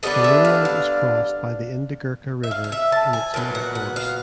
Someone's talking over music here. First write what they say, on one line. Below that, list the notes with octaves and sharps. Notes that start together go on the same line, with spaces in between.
The lowland is crossed by the Indigirka River in its middle course.
D3 G3 B3 D4 D#5
E5
F5
F5
E5
F5
F5
E5
A5
G#5
A#2 F#3 B3
F#5
F#5
F5